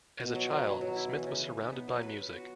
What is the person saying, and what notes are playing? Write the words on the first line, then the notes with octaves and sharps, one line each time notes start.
As a child, Smith was surrounded by music.
B2
F#3
F#3
F#3
F#3
E4
E3
C#3
E3
D#4
B3
F#3
B4
B4
F#4